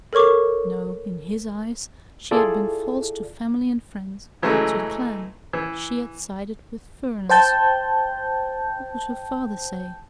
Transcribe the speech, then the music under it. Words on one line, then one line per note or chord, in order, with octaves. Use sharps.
No, in his eyes she had been false to family and friends--to the clan--she had sided with "furriners." What would her father say?
A4 A#4 C#5 C#6 D6
E4 F4 G#4 A4 D5
C#3 E3 F#3 G#3 A3
E3
C5 G5 A5 G6